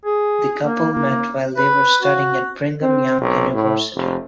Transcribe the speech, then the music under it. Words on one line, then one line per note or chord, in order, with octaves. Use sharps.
The couple met while they were studying at Brigham Young University.
G#4
A#3
A#3
B4
F#4
C4
B1
A2
F1